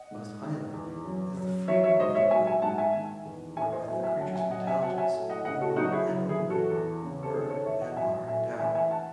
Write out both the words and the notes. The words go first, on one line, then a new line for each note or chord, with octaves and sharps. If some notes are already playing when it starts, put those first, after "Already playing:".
Most highly, is the freedom of the will, Wherewith the creatures of intelligence Both all and only were and are endowed.
Already playing: D#5 F#5
G#2
D#3
E2
F#2
F#2
F#3 C#5 E5
C#5 E5
G#2 C5 D#5
C#5 E5
F#3 E5 G#5
E5 G#5
G#2 F#5 A5
E5 G#5
D#3
E2
A2 E5 G#5
C5 D#5
F#3 E5 G#5
E5 G#5
F#2 F#5 A5
E5 G#5
F#2 D#5 F#5
E5 G#5
F#3 F#5 A5
E5 G#5
A2
D#5 F#5
C#3 D#5 F#5
F#4 A4
F#3 D#4 F#4
E4 G#4
F#2
E4 G#4
E3
F#4 A4
E2
C#3
A4
D#3 G#4 C5
A4 C#5
E2 C#5 E5
D#5 F#5
F#3 E5 G#5
A2 E5 G#5
E3 E5 G#5
E5 G#5
F#5 A5